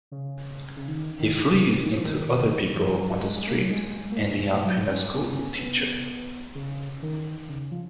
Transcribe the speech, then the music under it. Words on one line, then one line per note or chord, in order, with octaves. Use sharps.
He flees into other people on the street, ending up in a schoolteacher.
C#3
C#3
D#3
D#3
C#3
D#3
F3
D#3
F3
F#3
G#3
G#3
A#3
F#3
G#3
A#3
G#3
F#3
C#4
B3
C#4
B3
C#3
D#3
C#3
F3